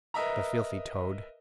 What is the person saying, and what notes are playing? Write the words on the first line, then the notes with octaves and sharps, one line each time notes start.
The filthy toad... .
A#4 B4 D#5 E5 A#5